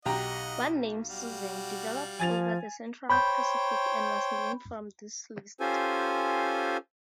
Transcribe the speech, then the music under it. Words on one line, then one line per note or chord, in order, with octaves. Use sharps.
One name, Susan, developed over the Central Pacific and was named from this list.
B1 G4 D#5 F#5 A#5
G3 F#4 F5
F3 G#5 A6 F7
C5 C#5 G5 B5 G6
C#4 F4 G4 A4 C5 G#5